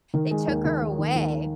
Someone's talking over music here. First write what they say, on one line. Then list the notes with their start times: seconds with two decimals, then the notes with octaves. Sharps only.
They took her away,
0.14 D#3
0.31 G#3
0.47 D#2
0.64 D#3
0.81 G#3
0.99 D#2
1.15 D#2